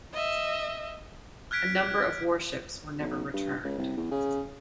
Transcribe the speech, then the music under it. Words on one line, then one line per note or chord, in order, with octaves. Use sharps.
A number of warships were never returned.
D#5 E5
F6 F#6 G#6 B6 D7
B1
G2
C#2
C2
E2
C#3